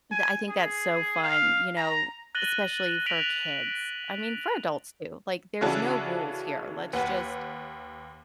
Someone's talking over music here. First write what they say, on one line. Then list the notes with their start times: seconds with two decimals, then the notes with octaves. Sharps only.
tha I think that's so fun, you know, especially for kids. I mean, for adults too. Like, there's no rules here. Let's just,
0.11 G#5
0.49 G#4
1.23 F5
1.77 A#5
2.35 F#6 A6 A#6 D#7 F#7 G7
3.06 F#6 A#6 B6 D7 F7 F#7
5.61 C#3 E3 C#4 D4 F#4 A4
6.93 D#2 B4 F#5